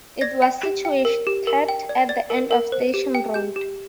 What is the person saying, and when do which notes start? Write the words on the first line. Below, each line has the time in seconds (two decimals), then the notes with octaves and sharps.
It was situated at the end of Station Road.
0.21 D5 A#6
0.42 G5
0.63 G4
0.85 G5
1.05 A#4
1.27 G4
1.47 A#4
1.69 G5
1.89 D5
2.09 D5 A6
2.30 A#4
2.51 A#4
2.72 C5
2.94 G4
3.15 G5
3.34 G4 G6
3.56 G4